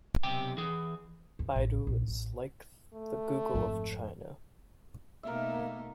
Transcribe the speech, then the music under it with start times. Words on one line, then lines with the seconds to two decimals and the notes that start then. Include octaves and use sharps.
Baidu is like the Google of China.
0.23 B1 C3 G4 G5
0.58 E3 G#4
1.39 E2
1.56 A1
1.87 A#1
2.08 A1
2.94 A3
3.54 G#1 F2
5.23 B2 A3 A#3 D#4 A#4 E5